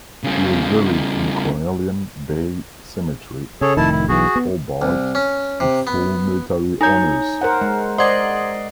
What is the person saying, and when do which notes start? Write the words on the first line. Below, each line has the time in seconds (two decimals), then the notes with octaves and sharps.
He was buried in Cornelian Bay Cemetery, Hobart, with full military honours.
0.24 C#3 G3
3.61 C#3 G#4 A4 C#5
3.77 F1 A2 D#3 E4 A5
3.92 E4
4.08 B1 E3 F#4 G#4
4.36 B3
4.82 C2
5.15 C#4
5.60 C3
5.87 B3
6.81 D#4 C#5 G#5 A#5 G6
7.41 A#4 C5 F#5
7.61 G#3
7.98 C5 D5 D#5 F#5 C6 G#6 C7